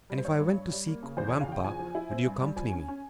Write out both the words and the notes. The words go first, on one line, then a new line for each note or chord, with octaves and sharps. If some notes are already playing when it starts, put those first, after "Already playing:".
"And if I went to seek Vampa, would you accompany me?"
G3
C5
G2 C#5
G2
G2
G3
A#3
C#3
E2 C5
C#3 C#5
F5
E2 G5
F3 G#5
F3
E4
C4
G2
G3
F3 G#5
C#4
C#4